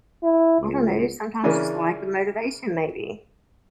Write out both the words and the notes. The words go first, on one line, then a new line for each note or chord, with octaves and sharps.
I don't know, sometimes just lack of motivation maybe.
E4
C#2
C#3 E3 C#4 D4 G#4 A#4